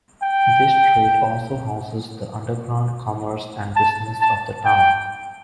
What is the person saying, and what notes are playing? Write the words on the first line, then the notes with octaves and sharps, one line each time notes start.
This street also houses the underground commerce and business of the town.
G5
A5
A5
G5